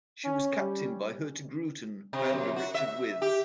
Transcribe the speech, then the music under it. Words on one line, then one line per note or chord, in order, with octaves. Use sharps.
She was captained by Hurtigruten founder Richard With.
C#4
G3
C3
F#2
F#4
E5
G4